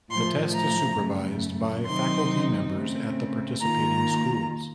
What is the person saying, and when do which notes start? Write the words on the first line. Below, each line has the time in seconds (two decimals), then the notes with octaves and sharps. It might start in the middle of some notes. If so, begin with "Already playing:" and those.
The test is supervised by faculty members at the participating schools.
0.11 A2 F3 A3 C6
0.55 A#5
0.99 F#2 C#3 A3
1.86 C3 D#3 F#3 C4 D#4 C6
2.75 C#3 A3 C4
3.61 D#3 A#3 F4 A#5